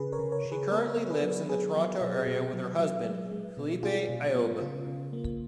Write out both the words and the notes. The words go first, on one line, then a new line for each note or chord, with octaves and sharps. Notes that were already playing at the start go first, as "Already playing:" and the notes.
She currently lives in the Toronto area with her husband, Philippe Ayoub.
Already playing: C#3 G#4 B4
A#4 C#5
C#3
A#4 C#5
C#3
G#4 B4
B3 A#4 C#5
B3
G#4 B4
F#3
B3 G#4 B4
F#3
B2
B2
F#3
F#3
G#3
G#3
B2
B2 F4 G#4
B2
B3
C#3 F4
C#3
A#3